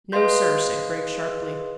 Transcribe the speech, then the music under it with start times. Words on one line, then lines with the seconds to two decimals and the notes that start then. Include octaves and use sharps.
"No, sir," said Griggs sharply.
0.12 G#4 B4 D#5 F5 C6 G6